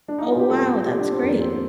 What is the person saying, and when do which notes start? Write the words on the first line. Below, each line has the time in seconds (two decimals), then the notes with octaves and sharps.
Oh, wow. That's great.
0.08 D4
0.18 D#4
0.29 F4
0.39 G4
0.50 A2 F3 A4
0.68 A4
0.86 G4
0.98 D4
1.11 C4
1.23 F2 D#3 A#3
1.41 C4